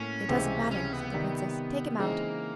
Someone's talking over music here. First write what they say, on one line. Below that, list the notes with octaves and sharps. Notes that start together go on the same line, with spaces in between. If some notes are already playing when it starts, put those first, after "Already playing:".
'It doesn't matter!' said the Princess. 'Take him out!'
Already playing: A2 A#3 C#4
C#2 C3 E3 G#3 C4
C#4
B3
C3 D#3 G3
C#3 E3 G#3 A#3 C4 D#4